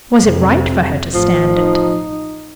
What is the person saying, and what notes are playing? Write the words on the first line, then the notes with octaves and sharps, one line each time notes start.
Was it right for her to stand it?
F2 C3
A1 F3
D#4